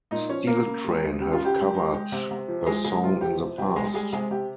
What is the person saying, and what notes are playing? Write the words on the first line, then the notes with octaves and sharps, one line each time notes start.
Steel Train have covered the song in the past.
A#2 D#4 D#5
F3 C#4 C#5
C#3 A#3 A#4
C#3
G#3
G#3
C#3 G4
F4
C#3
G4
G#3
G#3
G#3
C3
C3
F3
G#3 G#4
C3 G#3 G#4
C3 F4
F3 G4
C3
C3 G4
G3 G#3 G#4
G3 G#3 G#4
C3 G#3 G#4
C3 G4